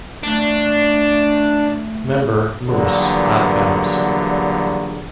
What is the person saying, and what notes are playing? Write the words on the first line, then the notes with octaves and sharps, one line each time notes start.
Member, Moose; Odd Fellows.
A3 D4
E2 A#2 D3 F#3 G3 B3